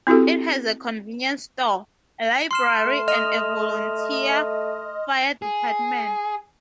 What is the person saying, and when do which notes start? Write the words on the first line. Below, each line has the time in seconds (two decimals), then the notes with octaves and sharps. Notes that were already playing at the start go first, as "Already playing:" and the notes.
It has a convenience store, a library and a volunteer fire department.
0.07 C4 E4 F#4 G4 A4
2.51 C6 F6 C7 E7
2.86 A3
3.08 D#5 F6 F7
5.42 G#4